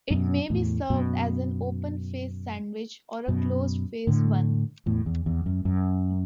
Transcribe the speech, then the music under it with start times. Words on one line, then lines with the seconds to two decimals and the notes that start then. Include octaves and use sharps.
It may be served as an open face sandwich or a closed face one.
0.10 F#2 B2
0.50 E2 A2
0.90 F#2 B2
3.28 F#2 B2
4.07 A2 D3
4.86 E2 A2
5.06 E2
5.26 E2
5.46 F#2
5.65 F#2